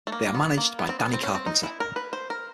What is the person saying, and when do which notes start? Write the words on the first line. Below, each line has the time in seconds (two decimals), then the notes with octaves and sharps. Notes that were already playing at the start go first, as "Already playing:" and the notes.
They are managed by Danny Carpenter.
0.07 A3
0.12 A#3
0.27 A#3
0.35 B3
0.58 A#3
0.79 B3
0.89 C4
0.99 B3
1.13 C4
1.23 C#4
1.35 C4
1.46 D#4
1.63 E4
1.80 A#4
1.96 B4
2.13 C5
2.30 A#4